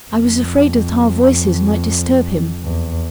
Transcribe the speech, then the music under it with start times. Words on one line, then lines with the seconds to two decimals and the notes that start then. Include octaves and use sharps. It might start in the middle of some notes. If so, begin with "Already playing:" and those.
I was afraid that our voices might disturb him.
0.12 F2
2.63 E2